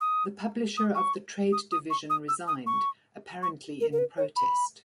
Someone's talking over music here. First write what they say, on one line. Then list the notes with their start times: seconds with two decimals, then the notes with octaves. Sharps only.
The publisher of the trade division resigned, apparently in protest.
0.01 D#6
0.77 D#6
0.95 C#6
1.53 D#6
1.72 D#6
1.90 C#6
2.10 D#6
2.28 E6
2.48 D#6
2.67 C#6
3.43 C#6
3.81 A#4
3.92 A#4
3.98 B4
4.17 C#5
4.36 B5